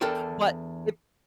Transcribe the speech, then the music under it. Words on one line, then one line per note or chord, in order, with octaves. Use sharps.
but i
E2 D4 A4 A#4 G5 A5